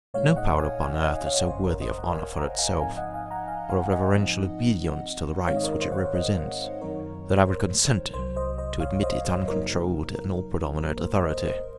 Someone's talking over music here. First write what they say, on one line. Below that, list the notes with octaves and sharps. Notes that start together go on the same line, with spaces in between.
But no power upon earth is so worthy of honor for itself, or of reverential obedience to the rights which it represents, that I would consent to admit its uncontrolled and all-predominant authority.
A#2 G#3 D#4 C#5 F5
D#5 F#5
F5 G#5
F5 G#5
D#5 F#5
C#5 F5
G#1 F#2 C#3 C5
A#4 C#5
C5 D#5
D#5 F#5
F5 G#5
F#5 A#5
F5 G#5
G#2 F3 C4 D#4 F5 G#5
D#5 F#5
F5 G#5
F#5 A#5
F5 G#5
F5 G#5
D#5 F#5
G#2 F3 C4 D#4
G#2 D#3 G#3 C4 D#4 C#5 F5
D#5
A#4 C#5
C5 D#5
F#5
C#5 F5
C5 D#5
F#2 D#3 F#3 C4 D#4 A#4 C#5
C5
C2 C3 F#3 C5
C5 D#5
C5 D#5
C#5 F5
C5 D#5
C5
F2 C3 F#3 A#3 D#4 A#4
A#4
G#1 G#2 F#3 A#3 A#4
C5
C5 D#5
C5
C5 D#5